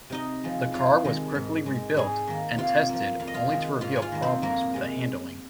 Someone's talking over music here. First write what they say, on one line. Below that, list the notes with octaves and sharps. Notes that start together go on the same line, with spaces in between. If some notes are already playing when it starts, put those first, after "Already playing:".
The car was quickly rebuilt and tested, only to reveal problems with the handling.
C3 D#4 D#5
F3 G#3
F2 F4 F5
C3 D#3 G#3
G#2
G#3
G#2 G#4 G#5
D#3 A#3
C3 F4 F5
F3 A#3
F2 F5
D#5
F4 F5
D#3 G#3
G#2 F4 F5
G#5
F4 F5
D#3 A#3
C4 C5
F2 A#3 A#4
C3 G#3